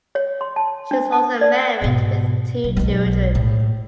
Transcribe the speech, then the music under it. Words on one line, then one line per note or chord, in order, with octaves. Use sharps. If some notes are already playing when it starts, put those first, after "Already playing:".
She was also married with two children.
C#5
C6
A5
D4
A5
D5
G#2 B2
B1
B1 G#3
A2